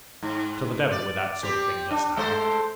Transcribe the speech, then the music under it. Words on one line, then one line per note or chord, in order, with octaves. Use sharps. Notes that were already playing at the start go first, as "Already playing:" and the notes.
'To the devil with that sort of thing just now!
G#2
D5
C4 G4
D4
G#3 A4 C5